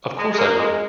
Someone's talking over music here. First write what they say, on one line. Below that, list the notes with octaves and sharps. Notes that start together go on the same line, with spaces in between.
Of course I will!
G#3
G#3
A#3
G#3